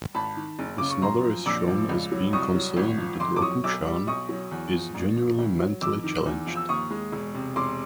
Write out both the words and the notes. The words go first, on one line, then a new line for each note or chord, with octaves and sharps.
His mother is shown as being concerned that Roku-chan is genuinely mentally-challenged.
G#1 A5 B5
D#3
F#1
C#3 D6
C#6
F#2 A#5 C6
F3
A#1 D6 E6
F3
C#2
F#3
C2 C#6 D#6
F#3
G#1
F3
F2 C6 D6
D6
F#3 C#6 D#6
B1 D6 E6
G3
B1 C#6 D#6
F#3
E2
F3
A#1
F3
D2
F#3
F2 D6 E6
D#3
E2
F3
E6
D#2 C#6 D#6
G#3
E1
C3
E1 C6 D6